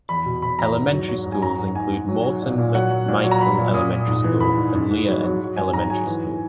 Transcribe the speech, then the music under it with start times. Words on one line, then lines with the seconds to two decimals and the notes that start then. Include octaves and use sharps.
Elementary schools include Morton McMichael Elementary School and Lea Elementary School.
0.09 E2 B5
0.26 B2
0.42 B2 B5
0.59 E2 A#5
0.76 G#2
0.93 F#3
1.09 F#3
1.26 G#2
1.32 G#5
1.42 F#3 A#5
1.59 G#2
1.75 G#2 G#5
1.92 G#2
2.08 F#3
2.25 F#3
2.42 A#2
2.58 A#2
2.75 F#3 F#5
2.91 F#3
3.08 A#2
3.24 F#3
3.31 A#5
3.41 F#3 B5
3.58 A#2
3.74 A#2 D#6
3.91 A#2
4.08 G#2
4.24 E3
4.41 G#2 B5
4.57 G#2
4.74 G#2
4.90 G#2
5.07 F#3
5.24 F#3
5.40 F#3
5.57 F#3 G#5
5.73 G#2 A#5
5.90 F#3 G#5
6.07 E3
6.23 G#2